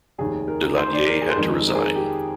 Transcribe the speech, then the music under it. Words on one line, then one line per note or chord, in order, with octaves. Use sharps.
Daladier had to resign.
F1 D#2 D#3 G#4
A#4
C5
D5
A#4
G#4
C5
F2 D#3 G#3 A#4
A#4
G#4
G4